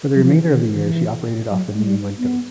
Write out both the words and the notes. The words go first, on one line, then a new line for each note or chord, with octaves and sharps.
For the remainder of the year, she operated off the New England coast.
F#3
F3
E3
D#3
D#3
E3
F#3
G#3
G3
B3